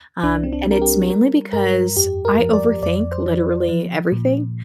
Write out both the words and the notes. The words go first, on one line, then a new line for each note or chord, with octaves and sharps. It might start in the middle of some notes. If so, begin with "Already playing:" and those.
um, and it's mainly because I overthink literally everything,
C2 D4
C4
D4
G3 A#4
G4
G3 A#4
G2 A#4
F2 G4
A#4
F3
D5
F2 D5
C5
F3
F3
A#2